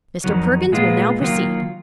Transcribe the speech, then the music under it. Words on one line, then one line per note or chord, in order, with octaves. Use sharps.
"Mr. Perkins will now proceed."
F2 D#3 F#3
A#2 G#3 B3 F4
D#3 F#3 A#3 F4